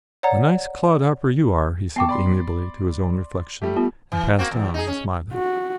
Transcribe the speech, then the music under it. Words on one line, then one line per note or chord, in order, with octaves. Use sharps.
"A nice clodhopper you are!" he said amiably to his own reflection, and passed on, smiling.
C#5 D5 F#5 A#5
B3 G5 A5 C#6 D6 C7
D5 B5 C6
G3 A3 G4
B3 F4
E3
A#3 C4 F#4
E2
D#4 G#4
C#4
F#4